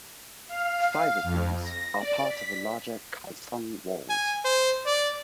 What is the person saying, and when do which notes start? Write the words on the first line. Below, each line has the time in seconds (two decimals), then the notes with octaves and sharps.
Five of these are part of the larger Kaesong Walls.
0.48 F5
1.23 F2
1.63 A#6
1.97 D5
2.28 B6
4.10 G#5
4.45 C5
4.86 D5